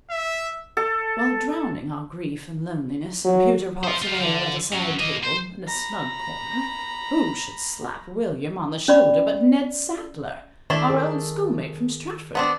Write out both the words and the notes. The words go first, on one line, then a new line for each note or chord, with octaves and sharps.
While drowning our grief and loneliness in pewter pots of ale at a side table, in a snug corner, who should slap William on the shoulder but Ned Sadler, our old schoolmate from Stratford.
E5
A4
F#3
F4 C5
F4 G4
D3
F#3 C#4
A#3 D#5
C5
A#5 B5
C#4 D5 B5 D6
D#3 A3 D4 E4
G#4 A#4
B3 C4 D4